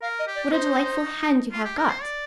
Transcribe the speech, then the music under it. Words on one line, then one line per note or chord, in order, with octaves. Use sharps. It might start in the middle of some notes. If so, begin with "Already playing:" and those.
What a delightful hand you have got!
A#4 F5
D#5
G4
D5
D#4 C5
F4
G4
A#4
C5
D5